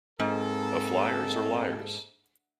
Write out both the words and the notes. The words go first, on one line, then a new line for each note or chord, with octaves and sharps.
A Fliers or Liars?
G#2 A#3 C4 G#4 A4